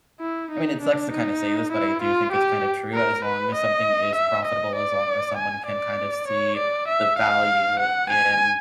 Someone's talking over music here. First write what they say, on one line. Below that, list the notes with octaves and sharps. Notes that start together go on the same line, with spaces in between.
I mean, it sucks to kinda say this, but I do think it's kinda true. As long as something is profitable, as long as someone can kind of see the value in
E4
D#4
D4
D#4
E4
F4
G4
A#4
B4
D#5
E5
D#5
D5
G#5
D5
C#5
D5
E5
F5
F#5
G#5